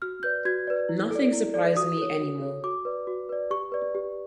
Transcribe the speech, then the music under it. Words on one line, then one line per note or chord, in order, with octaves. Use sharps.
Nothing surprises me any more.
F#4 F6
B4 D5 G6
F#4 G#6
B4 D5
E4
A4 D5
E4
A4 D5
F#4 D#6
A4 C#5
F#4
A4 C#5
F#4 D6
B4 D5
F#4
B4 D5
G4 C#6
B4 D5
G4